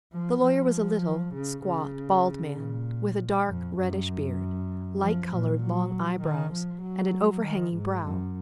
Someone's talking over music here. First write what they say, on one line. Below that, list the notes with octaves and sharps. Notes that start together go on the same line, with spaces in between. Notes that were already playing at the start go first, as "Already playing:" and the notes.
The lawyer was a little, squat, bald man, with a dark, reddish beard, light-colored long eyebrows, and an overhanging brow.
F3
F3
C#3
C#3
A#2
F2
F#2
F3
A#2
F#3
D#3
F3
F#3
D#3
G#2
F#2